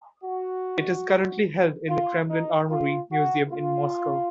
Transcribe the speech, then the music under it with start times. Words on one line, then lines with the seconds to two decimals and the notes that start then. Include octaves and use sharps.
It is currently held in the Kremlin Armoury Museum in Moscow.
0.24 F#4
1.88 F4
2.29 D#4
2.71 F4
3.11 F#4
3.52 F4